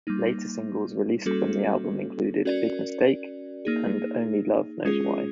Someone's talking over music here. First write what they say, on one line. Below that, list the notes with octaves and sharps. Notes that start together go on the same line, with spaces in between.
Later singles released from the album included "Big Mistake" and "Only Love Knows Why".
G3 A#3 D#4
G3 A#3 C#4 F#4 A4
C#4 F#4 A#4 D5
A#3 D#4 G#4
G#3 C#4 F4 G#4